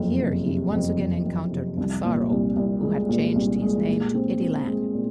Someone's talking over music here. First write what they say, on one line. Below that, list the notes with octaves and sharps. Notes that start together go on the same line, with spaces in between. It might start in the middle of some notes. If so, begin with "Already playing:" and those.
Here, he once again encountered Massaro, who had changed his name to Eddie Lang.
Already playing: F#1 F2
C3
C3
F2
F2
F2
C3
C2
A#2
C2
C2
G#3
A#2
C2
G#3
A#2
C4
C4
G#3
A#2